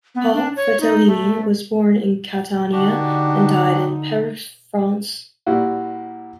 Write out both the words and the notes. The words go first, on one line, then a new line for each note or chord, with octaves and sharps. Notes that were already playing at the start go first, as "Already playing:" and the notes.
Paul Fratellini was born in Catania and died in Perreux, France.
B3
D4
C#5
D#4
A3
D3 D4 D#4 F#4 G4
A#2 G3 E4 F#4